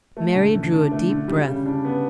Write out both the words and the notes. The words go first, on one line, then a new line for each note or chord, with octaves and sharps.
Mary drew a deep breath.
A3
D3
D3
D4
A3
D3
G3
C#3
D4
B3